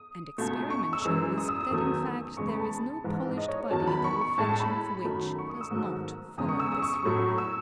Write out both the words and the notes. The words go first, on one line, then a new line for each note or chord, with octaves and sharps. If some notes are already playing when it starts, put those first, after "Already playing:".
And experiment shows that in fact there is no polished body the reflexion of which does not follow this rule.
Already playing: D#6
C#2 B2 A3
C#6
E6
F#2 E3 G#3
D#6
E6
D#6
E2 D#3 F#3 A3
E2 C#3 G#3 C#6
B5
A5
G#2 E3 G#3
D#5
C#5
C#5
E2 D#3 F#3 A5
B5
C#6
C#6
A2 G#3 A5
A5
B5
F#2 D#3 F#3 A3
C#6
D#6
E6
G#2 D#3 F#3 A3
E2 C#3 G#3 D#6
C#6
E6
D#6
C#6
C#6
A2 F#3 A3
E6